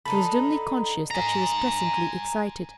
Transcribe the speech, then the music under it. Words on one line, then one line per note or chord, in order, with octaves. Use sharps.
She was dimly conscious that she was pleasantly excited.
D3 D#4 A4 B5
G#5 A#5